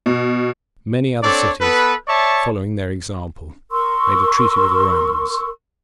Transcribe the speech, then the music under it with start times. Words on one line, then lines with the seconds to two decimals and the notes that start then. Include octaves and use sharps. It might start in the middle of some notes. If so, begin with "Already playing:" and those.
Many other cities, following their example, made a treaty with the Romans.
0.06 B2
1.23 C4 D4 A4 C#5 D5
1.61 B3 A4 B4
2.08 C#5 D5 E5 A5 C#6
3.72 A#4 C6 C#6 E6